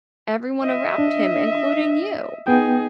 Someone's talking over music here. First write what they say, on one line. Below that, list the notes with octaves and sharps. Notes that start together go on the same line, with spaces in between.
everyone around him, including you.
D#5 E5
D4
B3 D#4 G#4 G5